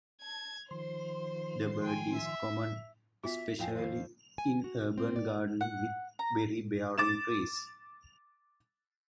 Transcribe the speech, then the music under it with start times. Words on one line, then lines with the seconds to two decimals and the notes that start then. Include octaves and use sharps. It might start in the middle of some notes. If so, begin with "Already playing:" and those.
The bird is common especially in urban gardens with berry bearing trees.
0.22 A5 G#6
0.71 D#3 F3 C5 C6
1.84 G5 G#5
2.16 E5
3.24 B3 F4 F#4 E5
3.59 F2 E4 F5 G5 G#5
3.75 D#3 E3 F5
4.38 G#5
4.64 F#4
4.98 C4
5.16 D5
5.61 F#5
6.19 A#5
6.98 D6 A6 E7